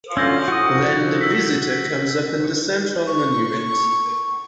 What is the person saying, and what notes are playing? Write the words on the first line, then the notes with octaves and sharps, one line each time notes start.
Then the visitor comes upon the central monument.
D3 F#3 C#4 F4 E6 G6 A#6
F3 E4 F#4 D#6
E6 B6
C#6